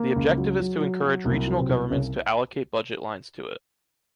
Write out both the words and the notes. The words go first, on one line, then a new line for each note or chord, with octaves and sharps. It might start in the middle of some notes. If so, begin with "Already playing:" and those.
The objective is to encourage regional governments to allocate budgets lines to it.
Already playing: A#3
C#2
F#3
F#3
F#3
F#3
C2 A#3
F#3
C3 C4
C2
C2 C#3 C#4